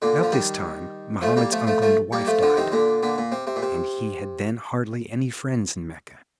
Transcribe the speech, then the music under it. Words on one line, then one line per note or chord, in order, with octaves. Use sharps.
About this time Mohammed's uncle and wife died, and he had then hardly any friends in Mecca.
A#2 D3
F3
D#3 G3
F3 A3
G3 A#3
F3 A3
F3 A3
F3 A3
G3 A#3
F3 A3
D3 F3
C3 D#3
A#2 D3
A#2 D3
A#2
C3
C3
A#2
C3